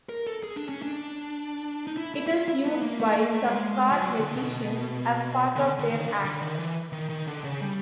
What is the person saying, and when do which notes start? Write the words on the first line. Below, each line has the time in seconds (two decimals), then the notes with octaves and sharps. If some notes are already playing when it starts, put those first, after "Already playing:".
It is used by some card magicians as part of their act.
0.09 A#4
0.27 A4
0.43 G#4
0.56 D4
0.69 C#4
0.82 D4
1.87 D#4
1.97 E4
2.14 E4
2.27 E4
2.31 F4
2.48 E4
2.66 B3
2.83 A#3
3.00 A3
3.17 A#3
3.33 A3
3.47 G3
3.51 G#3
3.92 F3
4.02 F#3
4.19 D3
4.36 B2
5.56 D3
5.79 D3
5.90 D#3
6.07 D3
6.25 D3
6.41 D#3
6.59 E3
6.93 D#3
7.09 D#3
7.27 D3
7.44 C#3
7.61 G3